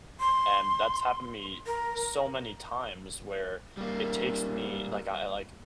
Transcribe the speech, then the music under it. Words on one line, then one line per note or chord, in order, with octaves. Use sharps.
And that's happened to me so many times where it takes me like, I, like
C6
A#4
G3 A#3